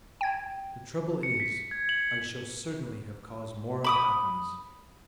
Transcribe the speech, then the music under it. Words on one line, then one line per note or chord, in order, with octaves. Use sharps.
The trouble is I shall certainly have caused more unhappiness....
G5 G#6
C#7
B6
G#6
F#7
B5 D6 D#6